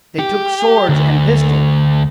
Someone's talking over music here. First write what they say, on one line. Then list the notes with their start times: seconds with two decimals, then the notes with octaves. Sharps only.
They took swords and pistols.
0.19 G4
0.89 D2